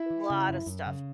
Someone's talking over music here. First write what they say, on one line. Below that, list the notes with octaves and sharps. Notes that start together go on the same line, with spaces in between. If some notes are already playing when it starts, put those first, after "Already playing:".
Lotta stuff.
Already playing: E4 E5
E3
C#3
F#2
F#2
C#3